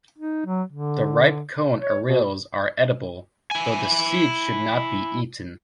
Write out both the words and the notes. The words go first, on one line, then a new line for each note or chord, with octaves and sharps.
The ripe cone arils are edible, though the seed should not be eaten.
D#4
F#3
D3
C#5
B2
E4 G#5